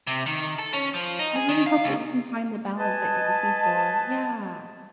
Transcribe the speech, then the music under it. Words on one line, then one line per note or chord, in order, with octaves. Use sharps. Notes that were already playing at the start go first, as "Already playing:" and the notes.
I really hope that you can find the balance that you're looking for, yeah.
C3
D#3
A4
C#4
F3
D#4
G#4
D#3
F5
C#2
B4 D#5 G#5 A5